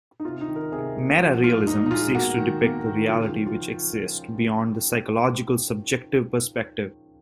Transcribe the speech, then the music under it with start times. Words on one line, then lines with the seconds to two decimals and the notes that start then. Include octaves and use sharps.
Metarealism seeks to depict the reality which exists beyond that psychological subjective perspective.
0.20 D#4
0.25 C3 F4
0.41 D#4
0.48 D#3
0.56 A#4
0.72 C3 G#4
0.96 A#3
1.19 F3 F#4
1.44 A#2 F4
1.67 A#2 D#4
1.86 D#4
1.91 G#3 F4
2.14 A#3 F#4
2.38 D#3
2.62 A#3
2.86 D#3
3.09 C#3 F4
3.32 F3
3.47 F4